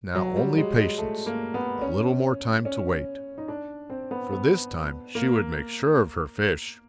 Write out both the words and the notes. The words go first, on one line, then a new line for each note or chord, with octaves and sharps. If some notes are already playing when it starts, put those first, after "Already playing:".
Now only patience, a little more time to wait; for this time she would make sure of her fish!
F#3
G3
G#3
G#3
A3
A#3
B3
C#4
C#4
D#4
D4
C4
B3
B3
A#3